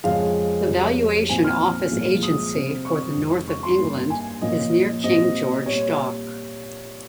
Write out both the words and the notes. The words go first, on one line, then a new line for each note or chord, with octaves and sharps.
The Valuation Office Agency for the north of England is near King George Dock.
F2 C#3 F3 G#3 F5
F2 C#3 G3
A#2 F3 C4 D#4 G#5
F6
C2 A#2 F3 G#3
D#6
C3 G3 C4
C#6
F2 D#3 G#3 C4 D#4
C#6
C6
G2 G3 A#3 D#4
G#5
A#2 F3 A#3 C#4 D#5
A#2 G3 C4 D#5
A#2 G3 C#5